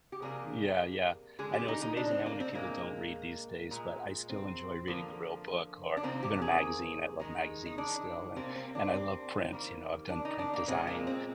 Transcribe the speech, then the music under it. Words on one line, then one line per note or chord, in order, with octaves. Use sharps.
Yeah. Yeah. I know it's amazing how many people don't read these days, but I still enjoy reading a real book or even a magazine. I love magazines still, and and I love prints. You know, I've done print design
G4
C3 G3 A#3 G#4
D3 G#3 G#4
G4
D#4
D#4
D4
C4
A#3
C4
A#2 G#3 A#3
A#2 G#3
C4
D3 F3 A#3
D4
C3 D#3 A#3 C4
G4
G#4
D#3 G#3
D#4
D4
C3 G3 A#3 C4
C4
D4
C4
D#3 G3 A#3
D4
D#4
D4
A#3
A#2 G#3 C4
A#3
C4